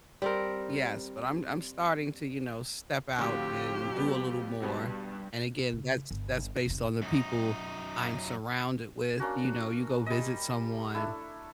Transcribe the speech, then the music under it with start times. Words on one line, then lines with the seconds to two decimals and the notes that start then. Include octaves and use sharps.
Yes, but I'm I'm starting to, you know, step out and do a little more, and again that's that's based on the people I'm surrounded with, you know, you go visit someone
0.22 G3 C4 A#4
3.18 F2 A2 D3 F#4 G4
3.96 G3 B3
4.62 G2 B2 B3
5.73 C#3
6.11 G1
6.66 F1 C3
7.02 F#2 D#4
9.20 A#3 C#4 D4 F#4
10.06 G3 D#5
10.94 A3 D4 E4